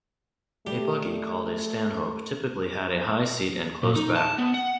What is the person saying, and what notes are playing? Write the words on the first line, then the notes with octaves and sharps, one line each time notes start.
A buggy called a stanhope typically had a high seat and closed back.
G3 A3 G4
A#2
D#4
A5
B3
F#5